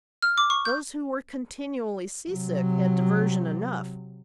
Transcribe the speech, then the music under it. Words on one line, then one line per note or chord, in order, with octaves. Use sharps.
Those who were continually seasick had diversion enough.
F6
D6
C#6
G6
C3 F#3